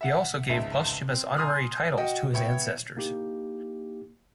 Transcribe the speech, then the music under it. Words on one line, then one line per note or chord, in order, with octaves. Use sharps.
He also gave posthumous honorary titles to his ancestors.
E5 F#5
G#1 C#2 E5
C4
G#5 A#5 C6 D#6 F6 F#6
F#4 D#5 G5
B3 E4 C#5 G5 G#6
A#3 D#4 E4 G4